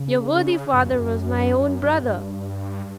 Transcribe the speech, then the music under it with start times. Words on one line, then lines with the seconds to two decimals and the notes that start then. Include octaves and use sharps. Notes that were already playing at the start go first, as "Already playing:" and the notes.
Your worthy father was my own brother.
Already playing: C#3
0.73 G2
0.81 F#2
0.87 E2
0.95 F#2
1.60 F#2
1.82 G2
2.04 G2